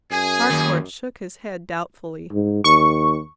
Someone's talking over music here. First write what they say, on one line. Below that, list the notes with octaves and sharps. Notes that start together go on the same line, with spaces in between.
Harcourt shook his head doubtfully.
F#2 G#4 G#5
D#2
G#2
D#2 C#6